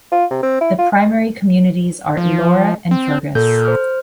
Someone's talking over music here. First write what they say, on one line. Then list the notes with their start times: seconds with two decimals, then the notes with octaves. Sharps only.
The primary communities are Elora and Fergus.
0.12 F4
0.31 C3
0.43 C4
0.61 E4
0.78 F4
2.17 F3
2.91 C4
3.35 A#2 A4 G6
3.65 C5 F6